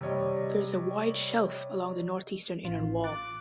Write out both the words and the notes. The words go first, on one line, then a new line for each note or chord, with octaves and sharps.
There is a wide shelf along the northeastern inner wall.
C3 G3 C#5 D#5
A1 F4
D6 F#6 A6